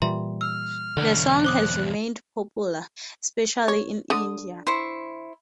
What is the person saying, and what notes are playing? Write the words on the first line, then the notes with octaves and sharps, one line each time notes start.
The song has remained popular, especially in India.
A#2 E3 G3 E5 A#5 C6
E6 F6
B1 E2 D3
C5 D6 D#6 F#6
C#5
D3 D#6
E4 C5 C#6